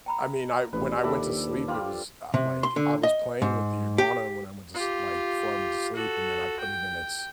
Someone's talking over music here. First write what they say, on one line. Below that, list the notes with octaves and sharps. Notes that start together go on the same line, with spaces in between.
I mean, I when I went to sleep, it was, uh, like I was playing with the iguana when I went to s like, before I went to sleep, and then I put it in its
G5 A#5 B5
A1 G2 F3 B4
D#2 A4 D5 E5 G5 B5
G3 F4 F5 C6
C3
C6
D3
D#5
G#2
G4
F4 G4
F#4 A4
G5